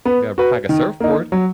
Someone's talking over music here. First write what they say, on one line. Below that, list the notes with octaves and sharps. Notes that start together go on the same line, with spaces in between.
Gotta pack a surfboard.
B3
F#4 B4
D#3
A#3 D#4
F#3